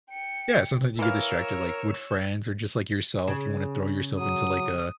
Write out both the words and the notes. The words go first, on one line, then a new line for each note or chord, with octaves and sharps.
Yeah sometimes you get distracted, like, with friends or just like yourself, you wanna throw yourself into, like, a
G5 C#7
E3 A#4 C#5 F5 E6
C#3
F#3 D#6